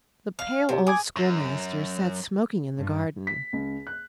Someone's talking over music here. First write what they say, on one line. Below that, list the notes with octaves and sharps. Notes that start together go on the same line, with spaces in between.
The pale old schoolmaster sat smoking in the garden.
F5
C3
G#4 G#5 D6 G#6
F#2
G2
B6
C#2
F#6